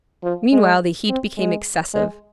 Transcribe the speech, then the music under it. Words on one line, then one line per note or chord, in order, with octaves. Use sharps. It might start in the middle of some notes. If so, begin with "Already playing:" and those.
Meanwhile the heat became excessive.
F3
G#3
C4
G#3
G#3